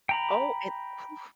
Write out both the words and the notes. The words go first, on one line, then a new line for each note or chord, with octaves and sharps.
Oh, and, oof.
G5 A#5 B5